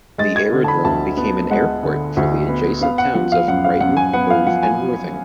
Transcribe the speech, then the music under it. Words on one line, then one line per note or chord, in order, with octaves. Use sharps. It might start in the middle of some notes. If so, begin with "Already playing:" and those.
The aerodrome became an airport for the adjacent towns of Brighton, Hove and Worthing.
G#3 A6
G#6
D3
A5
B5
D2 A5
B3
G#3 F#5
D3
D2
B3
B3 F5
F#5
F3 F#5
F5
F#2 F#5
F5
F#2 F#5
G#5
B3 F#5
F5
F3 F#5
G#5